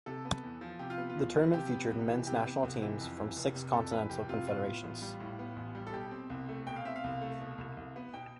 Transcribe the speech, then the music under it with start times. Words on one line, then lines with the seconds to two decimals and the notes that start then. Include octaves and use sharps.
The tournament featured men's national teams from six continental confederations.
0.06 C3 A4
0.25 B3
0.43 E2
0.61 F3
0.79 C3 G4
0.90 F4
0.98 B3
1.09 F4
1.17 E2
1.34 F3
1.54 C3 G4
1.71 B3
1.91 C2
2.08 E3
2.27 C3 G4
2.46 B3
2.63 C2
2.82 E3
3.01 F2
3.18 E3
3.36 F1
3.55 C3
3.73 F2 A4
3.92 E3 B4
4.10 F1 G4
4.28 C3 F4
4.47 A2 F4
4.65 B3
4.84 A1
5.02 G3
5.20 A2
5.39 B3
5.56 A1
5.75 G3
5.87 A4
5.93 B2 G4
6.11 C4
6.30 C2
6.49 A3
6.66 B2 G5
6.76 F5
6.85 C4 E5
6.96 F5
7.04 C2
7.21 A3
7.41 B2
7.58 C2
7.77 C2
7.96 B3
8.14 B2 G5